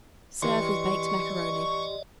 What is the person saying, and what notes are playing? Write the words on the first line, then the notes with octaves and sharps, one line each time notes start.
Serve with baked macaroni.
E3 G4 D5 D#5 C6 C#6